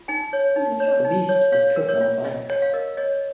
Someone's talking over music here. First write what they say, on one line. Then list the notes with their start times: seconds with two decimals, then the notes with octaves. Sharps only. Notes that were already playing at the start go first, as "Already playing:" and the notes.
The beast is cooked on a fire.
Already playing: F4
0.08 D#4 G#5
0.33 C#5
0.56 D#4
0.80 C#5
1.05 D#4
1.29 C#5
1.52 C#5 F5
1.76 A#4
1.89 C#5
2.01 F4
2.24 F4 D#5
2.50 C#5
2.62 F5
2.74 A#4 D#5
2.97 C#5 D#5